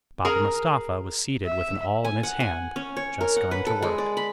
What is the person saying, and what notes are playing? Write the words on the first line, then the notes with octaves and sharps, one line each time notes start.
Baba Mustapha was seated with an awl in his hand, just going to work.
G#4 A#4 A#5
E5
G#5
F#5
G#5
C#4
C#5
A#4
F#5
B4
A4
G#3
D5
B5